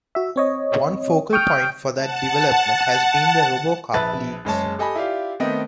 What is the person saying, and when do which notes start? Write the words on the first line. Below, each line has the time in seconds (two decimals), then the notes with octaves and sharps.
One focal point for that development has been the Robocup Leagues.
0.15 F#4 E5
0.36 C4 C#5 D#5
1.33 G5 C#6 D#6 F6
1.95 F#5 A5
3.94 A#1 B4 E5 A5 F#6 A6
4.45 F#1 G#3 C#5 A5
4.78 G4 A4 D#5 G#5 B5
4.95 E4 F4 G4 D5 F5
5.40 D#3 A3 B3 C4 D#5